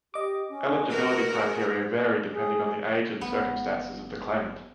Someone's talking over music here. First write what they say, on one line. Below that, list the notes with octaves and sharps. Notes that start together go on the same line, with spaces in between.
Eligibility criteria vary depending on the age and circumstances of the claimant.
G4 D#5 D6
C#4
F#4 A#4 B4
G#4
G#4
G1 B3